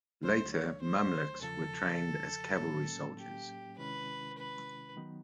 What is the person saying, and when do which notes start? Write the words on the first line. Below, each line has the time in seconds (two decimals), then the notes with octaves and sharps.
Later Mamluks were trained as cavalry soldiers.
0.23 D2 D3 F#3 A3 D4 C5
0.52 C#5
0.82 C5
1.41 E2 C#3 F3 A4
2.60 A2 F#3 A#3 C#4
3.19 G4
3.78 C3 D#3 G#3 C#4 E4 B4
4.38 B4
4.97 D#3 F#3 B3 D#4